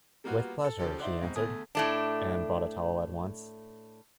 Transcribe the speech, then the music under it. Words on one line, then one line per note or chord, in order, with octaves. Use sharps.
"With pleasure," she answered, and brought a towel at once.
G3 A#3 B3 F4 F#4
A4
C#3 F3 G4 A4
D#4 E4 C5 D5 F#5
G#2 B2 C4
E2 D3 A3 G#5 D#6
A2 A3 D4